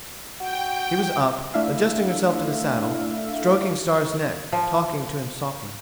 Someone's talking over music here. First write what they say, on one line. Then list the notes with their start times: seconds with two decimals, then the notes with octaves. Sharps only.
She was up, adjusting herself to the saddle, stroking Star's neck, talking to him softly.
0.41 F#4 G5
1.54 A3 D4 E4 E5 F5
4.53 F3